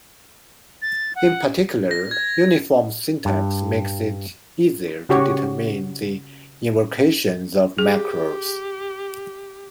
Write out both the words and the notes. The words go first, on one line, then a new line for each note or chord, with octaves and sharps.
In particular, uniform syntax makes it easier to determine the invocations of macros.
A6
F#5
A#6
G#6
G2
C#3 F#4 G4 C#5
G4 G#4